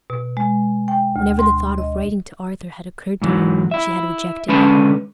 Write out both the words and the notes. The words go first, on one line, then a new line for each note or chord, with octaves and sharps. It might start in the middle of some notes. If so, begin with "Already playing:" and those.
Whenever the thought of writing to Arthur had occurred to her, she had rejected it.
B2
G#3
G5
D2
C6
D#5
G#2 E3 F#3
E4 E5
D3 G#3 C#4 B4 A5 B5